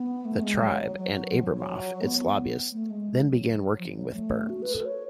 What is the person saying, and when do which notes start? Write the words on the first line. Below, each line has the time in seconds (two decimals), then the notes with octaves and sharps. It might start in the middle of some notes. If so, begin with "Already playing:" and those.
The tribe, and Abramoff, its lobbyist, then began working with Burns.
Already playing: B3
0.25 A3
0.43 G#3
0.60 F#3
0.96 F#3
1.31 F3
1.43 F#3
1.55 F#3
2.02 B3
2.72 A3
2.90 G#3
3.26 F#3
3.79 F3
3.92 F3
3.97 F#3
4.14 A3
4.49 F#4
4.62 B4
4.74 A4
4.85 C#5